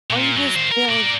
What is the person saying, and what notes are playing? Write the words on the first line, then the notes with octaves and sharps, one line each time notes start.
Or, you just feel
A#2
F#2 F#3
D#3 C5
A#4
A#4 D5